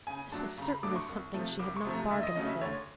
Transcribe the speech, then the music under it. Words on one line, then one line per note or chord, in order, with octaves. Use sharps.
This was certainly something she had not bargained for.
C#3 G#5
F#3 A3 D4 A5
C#3 A#5
B5
F#3 A3 D4 D6
C#6
C2
C3 F3 A3
C2 D6
C#6
C3 F3 A3
A#5
D2 E5
D#5
C#3 F#3 A3 C#4 D#5
E5
D2 C#5